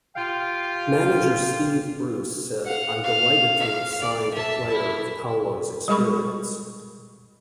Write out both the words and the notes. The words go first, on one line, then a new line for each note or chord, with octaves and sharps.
Manager Steve Bruce said I'm delighted to have signed a player of Paulo's experience.
F4 G4 F5 G5
F5 F#5
F5
F5
D5
E5 A5
E4
G3 G#3 G#4 A#4 B5 C#6